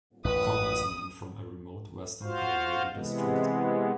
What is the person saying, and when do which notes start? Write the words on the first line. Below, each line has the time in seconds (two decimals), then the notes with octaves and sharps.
Congressman from a remote Western Colorado district.
0.25 A1 F#2 B4 D#6
2.23 F4 F#4 C5 F5
2.92 C3 E3 G#3 B3